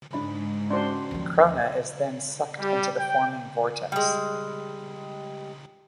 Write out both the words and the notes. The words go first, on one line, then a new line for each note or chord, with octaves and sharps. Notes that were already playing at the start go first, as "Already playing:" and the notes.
Krona is then sucked into the forming vortex.
G#2 D4 B5
C#4 D4 F#4 C5 C6
D#2 F3
G3
G5
G3 G#3